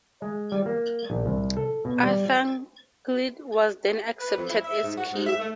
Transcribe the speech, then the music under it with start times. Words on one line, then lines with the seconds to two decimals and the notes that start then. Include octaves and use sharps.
Athanagild was then accepted as king.
0.22 G#3
0.52 G3
0.66 A#3
1.10 A#1
1.26 C2
1.57 A4
1.85 B2
2.03 G3
4.20 B4
4.37 F2
4.49 E4
4.64 E5
4.83 G#2
4.97 F#4
5.13 G#2
5.26 E5
5.39 A3